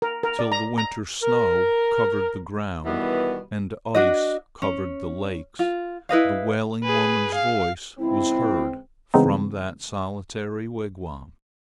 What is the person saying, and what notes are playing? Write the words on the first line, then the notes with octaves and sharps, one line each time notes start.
Till the winter snow covered the ground and ice covered the lakes, the wailing woman's voice was heard from that solitary wigwam.
A#4
A#4
D5
A#5
A#5
A#4
B2 D#3 E3 G3 B3
D4 F#4 D#5
C#4
F4
E4 B4 D#5 F5
G#4 B4
F5
C#2 F3 C4 E4
C#3 E3 G#3 B3 C4 D#4